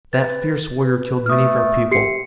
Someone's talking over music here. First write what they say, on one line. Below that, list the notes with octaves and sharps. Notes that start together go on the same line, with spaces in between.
That fierce warrior killed many of our people.
B4 A6
B4
A3 D#6 F6
G4 E5 C7 C#7